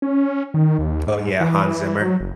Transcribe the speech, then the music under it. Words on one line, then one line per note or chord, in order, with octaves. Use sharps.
Oh, yeah, Hans Zimmer.
C#4
D#3
D#2
G#2
E3
F#3
F#1